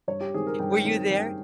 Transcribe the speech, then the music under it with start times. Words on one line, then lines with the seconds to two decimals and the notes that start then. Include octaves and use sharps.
Were you there?
0.08 G2 C#5
0.21 G4
0.34 D#3 G#3 C4 G#4
0.47 A#4
0.59 G2 G5
0.72 G5
0.84 D#3 G#3 C4 G5
1.10 G2 G5